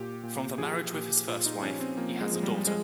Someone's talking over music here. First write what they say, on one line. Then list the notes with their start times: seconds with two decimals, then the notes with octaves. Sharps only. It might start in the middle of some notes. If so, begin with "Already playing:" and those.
From the marriage with his first wife, he has a daughter.
Already playing: A#2 G4
0.23 A#2
0.58 F3 G#4
0.93 A#2 G4
1.28 A#2 F4
1.46 D#4
1.62 F3 C#4
1.80 C4
1.97 F3 A#3
2.21 G#3
2.32 F3
2.43 G3
2.66 F3 G#3